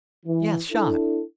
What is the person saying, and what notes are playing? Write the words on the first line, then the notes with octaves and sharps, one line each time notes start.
"Yes, shot."
E3
D4 E4 A4